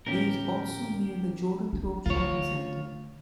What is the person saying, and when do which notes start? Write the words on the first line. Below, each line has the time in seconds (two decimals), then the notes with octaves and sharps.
It is also near the Jordanthorpe Shopping Centre.
0.07 A2 D3 E3 B3 C#4 G4 A#4
1.73 D4
2.06 D3 A3 F4 C#5